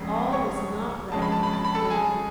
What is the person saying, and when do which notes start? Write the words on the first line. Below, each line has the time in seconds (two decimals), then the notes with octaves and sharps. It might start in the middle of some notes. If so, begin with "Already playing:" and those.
All was not right with the Queen.
Already playing: F1 F2 C#3 G#3
0.32 C#5 C#6
1.12 F2 C#3 G#3 C#4 A5
1.22 B5
1.32 A5
1.43 B5
1.53 A5
1.65 B5
1.75 A4 A5
1.90 G#4 G#5